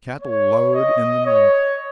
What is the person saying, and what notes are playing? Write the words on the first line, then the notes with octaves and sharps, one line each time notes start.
Cattle lowed in the night.
C#5
D#5
C#5